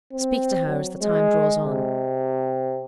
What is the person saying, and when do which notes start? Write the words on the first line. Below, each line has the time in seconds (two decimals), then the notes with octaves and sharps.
Speak to her, as the time draws on.
0.13 C4
0.67 F#3
1.02 G#3
1.64 C3